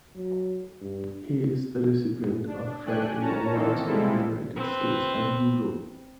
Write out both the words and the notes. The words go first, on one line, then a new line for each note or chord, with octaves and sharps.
He is the recipient of writing awards in the United States and Europe.
F#3
G2
D4
A3 D4 G5 G#5 F#6
C#4 C#5 A5 A#5
D#3 E3 A#3 C4 A4
G3 G#3 C4 E4 F4 A4
C4 B4